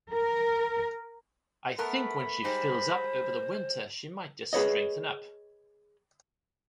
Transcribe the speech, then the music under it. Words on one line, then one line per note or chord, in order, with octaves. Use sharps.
I think when she fills up over the winter she might just strengthen up.
A#4
A3 B3 A#4 B5
G3 G#3 D#4 C5
G#4 B4 C#5 D#5